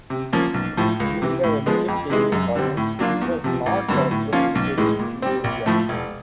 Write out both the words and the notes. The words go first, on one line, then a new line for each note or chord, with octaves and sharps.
He later admitted taking hormones, which was not prohibited in those years.
C3
F3 A#3 C#4
B1
A2 F3
C#2
C3 E3
A2
F3 G#3 B3
F2
C3 E3 G#3
F#2
D3 G3 C4
A2
F#3 A#3 D4 F4
E2
C3 F3
A1
G2 D3 F#3 B3
A2
F3 A#3 C#4 F4
B1
A2 E3 G#3
A#2
G3 C4
A#1
A2 F3 A3
E1